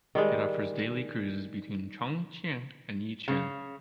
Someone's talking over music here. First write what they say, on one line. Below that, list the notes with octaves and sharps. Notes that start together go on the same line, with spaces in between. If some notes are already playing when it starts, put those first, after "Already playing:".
It offers daily cruises between Chongqing and Yichang.
D#3 G3 G#3
C#3